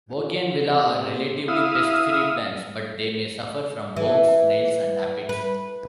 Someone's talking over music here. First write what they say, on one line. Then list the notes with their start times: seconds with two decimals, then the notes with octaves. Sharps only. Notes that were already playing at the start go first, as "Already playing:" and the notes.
Bougainvillea are relatively pest-free plants, but they may suffer from worms, snails and aphids.
0.15 F4
0.64 C3
1.48 E4 E5 F5 D#6
3.96 E3
5.29 B4